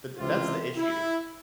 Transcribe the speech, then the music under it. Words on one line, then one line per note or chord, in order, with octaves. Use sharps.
But th that's the issue.
C#2 C3 E3 F4
E4